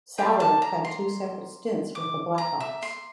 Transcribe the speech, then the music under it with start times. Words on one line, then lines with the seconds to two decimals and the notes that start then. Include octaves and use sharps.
Savard had two separate stints with the Blackhawks.
0.18 F4 A#4 D5 G5
0.40 A5
0.62 A#5
0.85 C6
1.95 D6
2.38 A#5
2.60 E5
2.83 C6